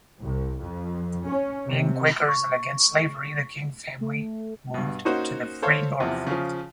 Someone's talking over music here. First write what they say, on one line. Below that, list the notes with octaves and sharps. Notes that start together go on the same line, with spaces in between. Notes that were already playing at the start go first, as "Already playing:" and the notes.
Being Quakers and against slavery, the King family moved to the free North.
C2
F2
C#4
C3
C#6
A3
G2 B2
A#3 C#4 D#4 F#4 C5
A4 C5 C#5 F5
E2 C3 F3
C#3 F3